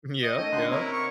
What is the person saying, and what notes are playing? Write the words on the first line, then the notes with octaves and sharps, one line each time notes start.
Mhm, yep, yep.
D#5
A3 C#4 D#4 A4 D#5 G5
D3 D#4 C6 F#6
C3 E4 A#4 C#5
C#6